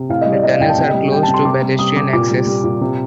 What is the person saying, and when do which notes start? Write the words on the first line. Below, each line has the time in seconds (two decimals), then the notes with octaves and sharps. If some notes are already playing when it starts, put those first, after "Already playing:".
The tunnels are closed to pedestrian access.
Already playing: C3
0.09 A2 F5
0.21 G3 D#5
0.32 D5
0.43 G3 D#5
0.52 F5
0.60 A2 G5
0.69 A5
0.78 C3 G5
0.89 G3 D#5
1.11 G3 G5
1.23 A5
1.28 C3
1.34 C6
1.45 C3 D6
1.63 G3
1.79 G3 D#6
1.97 C3 D6
2.13 A#2 D6
2.30 G3
2.47 G3
2.64 A#2
2.81 C3